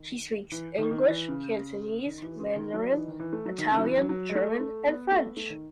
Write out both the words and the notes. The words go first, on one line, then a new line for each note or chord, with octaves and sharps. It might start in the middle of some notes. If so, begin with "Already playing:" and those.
She speaks English, Cantonese, Mandarin, Italian, German and French.
Already playing: D#3
E3
D#3
D#3
E3
C#3
D#3
E3
C#3
D#3
F#3
E3
D#3
E3
A3
F#3
D#3
C#3
F#3
E3
F#3
F#3
G#3
A3
A3
B3
A3
B3
A3
D#3